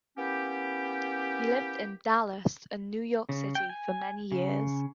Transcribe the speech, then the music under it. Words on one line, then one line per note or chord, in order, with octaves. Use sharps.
He lived in Dallas and New York City for many years.
A#3 B3 C#4 E4 G4
C#3
G5
G#5
C#3